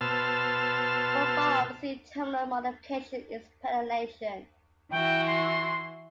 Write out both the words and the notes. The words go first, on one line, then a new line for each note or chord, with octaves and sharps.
One form of C-terminal modification is prenylation.
B2 C5 A5 E6 F6
E3 E4 F#4 G5
C6